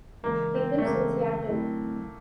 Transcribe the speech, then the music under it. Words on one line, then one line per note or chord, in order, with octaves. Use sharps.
He lives in Seattle.
C#3 E3 G#3 A#3
C4
A3
C#3 E3 G#3 A#3
D3 F#3 A3 C4 E4